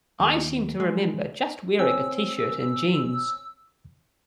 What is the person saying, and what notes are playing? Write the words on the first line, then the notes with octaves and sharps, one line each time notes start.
I seem to remember just wearing a t-shirt and jeans.
D#2
G#3
C4 C#5 G#5 E6